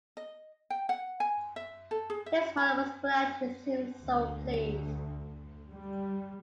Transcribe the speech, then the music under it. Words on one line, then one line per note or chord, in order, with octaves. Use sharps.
His mother was glad, he seemed so pleased.
D#5
G5
F#5
G#5
E5
A4
G#4
E5
B5
D2
G3